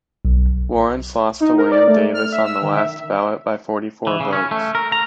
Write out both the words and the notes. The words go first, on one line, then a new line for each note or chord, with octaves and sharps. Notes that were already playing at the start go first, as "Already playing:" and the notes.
Lawrence lost to William Davis on the last ballot, by forty-four votes.
B1
D#4
A#4
D5
A3
F6
E5
E6
D#3
E5
E3
C#3
C#4
A3
A#4
A#5